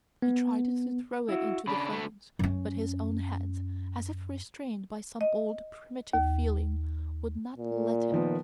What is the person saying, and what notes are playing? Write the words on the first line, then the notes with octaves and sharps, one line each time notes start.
He tried to throw it into the flames, but his own hands, as if restrained by some old primitive feeling, would not let him.
B3
E4 F#4
C#3 D4 B5
D3 A3
F#2 C#4
D#5
D#2
A#2
D#3 F3 B3